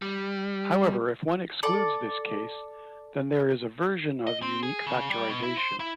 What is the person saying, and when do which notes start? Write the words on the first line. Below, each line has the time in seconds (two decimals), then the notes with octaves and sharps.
However if one excludes this case then there is a version of unique factorization.
0.02 G3
1.63 A4 D5
4.27 D#5
4.42 C4
4.63 G#4
4.87 C#3
5.09 G3
5.30 B2
5.43 E4
5.57 C5
5.80 E4